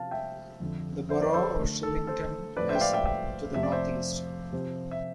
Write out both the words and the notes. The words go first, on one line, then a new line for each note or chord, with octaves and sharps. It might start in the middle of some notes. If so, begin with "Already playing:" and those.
The borough of Shillington is to the northeast.
Already playing: C3 F3 C4 F5 A5
E5 G5
F2 D3 F3 C4
C5 E5
B4 D5
A4 C5
D3 A3 D4
A4
A4 C5
A2 F3 C4 B4 D5
C5 E5
G5
D5 F5
E5 G5
E5 G5
F2 C3 F3 A3 C4 E5
D5
C5 E5
C3 F3 C4
E5